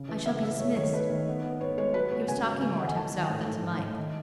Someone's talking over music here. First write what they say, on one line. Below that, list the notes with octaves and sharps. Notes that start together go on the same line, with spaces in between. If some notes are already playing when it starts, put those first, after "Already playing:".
I shall be dismissed.' He was talking more to himself than to Mike.
Already playing: C#3
E3
B3 E5
E3 E5
A3 C#5
D#3 C#5
A3 B4
D#3
B3
B3
B3 C#5
G#3 C#5
F#3 B4
B3 C#5
C#3 G#5
F#3
G#3
D#3 F#5
G#5
D#3 A5
D#3
A2
A2
A2
A2
D#3